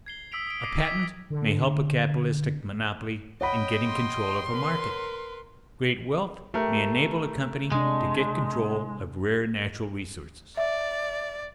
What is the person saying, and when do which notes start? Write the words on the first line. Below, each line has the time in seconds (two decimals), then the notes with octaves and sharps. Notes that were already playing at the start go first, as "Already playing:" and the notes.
A patent may help a capitalistic monopoly in getting control of a market; great wealth may enable a company to get control of rare natural resources.
0.06 G#6 C7 G7
0.32 D#6 E6 B6 D7 F7
0.47 D#6 D7
0.62 D6 D#6 A#6 C7 D#7
0.84 G#6 B6 D#7
1.30 D3
3.41 C#5 D#5 F#5 G5 B5
3.87 C6
4.49 A#4 B4
6.54 A3 G4 A#4
7.72 C3 G#3 D4
10.57 D5 E5